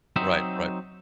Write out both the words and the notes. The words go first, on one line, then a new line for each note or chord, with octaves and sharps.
Right, right.
F#3 C4 D#4 E5